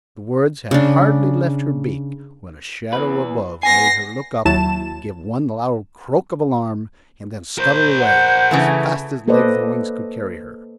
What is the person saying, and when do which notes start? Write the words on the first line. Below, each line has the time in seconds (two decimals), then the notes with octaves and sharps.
The words had hardly left her beak, when a shadow above made her look up, give one loud croak of alarm, and then scuttle away, as fast as legs and wings could carry her.
0.71 C#3 D4
2.93 E2 B4
3.63 B3 G#5 A#6 C7
4.45 D#2 F#3 E4 A5 E7
7.58 A#4 C5 G6
8.00 F#5
8.51 C#3 E3 A3
9.28 A#3 A4 B4 C5 D5 D#5